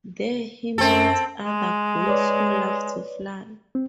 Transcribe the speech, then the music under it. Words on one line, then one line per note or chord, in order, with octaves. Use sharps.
There he meets other gulls who love to fly.
F#2 C4 A4
G#3
B4 C#5 D5
C4